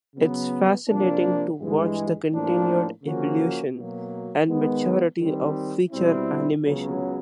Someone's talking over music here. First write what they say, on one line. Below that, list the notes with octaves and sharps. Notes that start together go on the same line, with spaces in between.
It's fascinating to watch the continued evolution and maturity of feature animation.
C#3 F#3 B3
C3 F3 A#3 D4
G2 E3 G#3
A1 A2 F3 A#3 D4
C#3 F3 A#3 C#4 F#4
B2 F#3 A#3
D#3 G#3 B3
D#3 G3 C4
B2 G3 C4 E4
C#2 C#3 F#3 B3